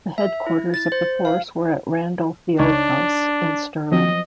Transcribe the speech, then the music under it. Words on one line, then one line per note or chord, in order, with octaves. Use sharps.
The headquarters of the force were at Randolphfield House in Stirling.
E5
E4
A6
C5
F5
C#2 D4 D#4 C#5
F3 F#3 C4 D#5